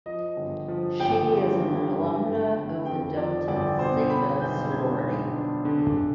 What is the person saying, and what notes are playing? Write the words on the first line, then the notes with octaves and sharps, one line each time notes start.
She is an alumna of the Delta Zeta sorority.
F3 D#5
G1
F3
G1 G5
G2
G2
G1
G1
G1
F2 G5
F3 D5
G1 D5
B2 C5
B3 B5
B1 G6
D4 G#6
B1
D4
D3
D3